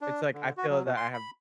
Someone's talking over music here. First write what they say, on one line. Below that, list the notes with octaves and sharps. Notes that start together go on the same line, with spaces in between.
It's like, I feel that I have
D4
D3
F#4
F#3
B2
C6
B5